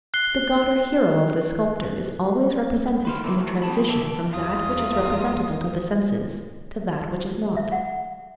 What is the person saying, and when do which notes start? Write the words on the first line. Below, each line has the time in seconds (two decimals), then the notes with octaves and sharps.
The god or hero of the sculptor is always represented in a transition from that which is representable to the senses, to that which is not.
0.14 F#6 C7 G7
3.05 B4 C5 F5
3.24 E3 A#3 E4 B4 D5
3.39 E3 F#3 A3
3.62 C4 G#4 A5 B5
3.88 D#2 B2 G4 E5 A5
4.30 E2 F4 D#6
7.57 E5
7.72 F#5